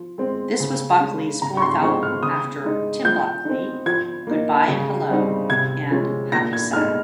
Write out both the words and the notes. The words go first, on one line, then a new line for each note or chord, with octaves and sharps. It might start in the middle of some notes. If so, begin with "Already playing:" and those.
This was Buckley's fourth album after "Tim Buckley", "Goodbye and Hello", and "Happy Sad".
Already playing: F3
G#3 C4
C#3
G#3 C#4
C#3 A#5
C#6
C6
F3 G#3 C4 D#4 C#6
F6
C#3 D#6
G#3 D#4
F3 G6
C4 D#4
F3 G#6
A#3 D#4
C#3
G3 C4 D#4
C3 G#6
F3 G#3 C#4
A#2 A#6
G#6
G#3 D#4 F6